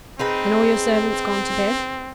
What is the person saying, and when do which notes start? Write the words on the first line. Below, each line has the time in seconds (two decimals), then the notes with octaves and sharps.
"And all your servants gone to bed?"
0.19 C4 D#4 G#4 B4